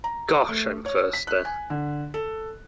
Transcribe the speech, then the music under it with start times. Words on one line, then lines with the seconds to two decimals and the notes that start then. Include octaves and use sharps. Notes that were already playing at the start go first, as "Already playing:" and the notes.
Gosh, I'm thirsty.
0.04 A#5
0.49 A3
0.86 C#5
1.13 B6
1.27 F#6
1.45 G#5
1.70 D3
2.14 A4